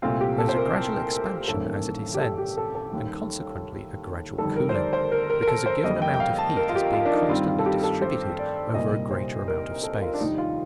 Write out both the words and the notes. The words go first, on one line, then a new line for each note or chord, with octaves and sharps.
There is a gradual expansion as it ascends, and consequently a gradual cooling, because a given amount of heat is being constantly distributed over a greater amount of space.
C2 A#2 A3 C4 F4
G4
A4
C5
A#4
A1 G2 D#3 A#3 A4
G4
A4
G4
A4
A4
D#2 D#3 G3
G1 F2 D#3 G3 A4
A#4
C5
D5
C5
A#4
A#4
A#4
A4
C5
F2 D3 G3 A#3 D#5
G5
G5
F5
A5
A#4
F4
G4
F4
D4
D#4
G2 D#3 G3 C4 F4
F4
A4
G4
A4
C5
D5
C2 A#2 G3 A#3 D#5
C5
A#4
A4
F4
D4
F1 D#2 D#3 G3 D#4
F4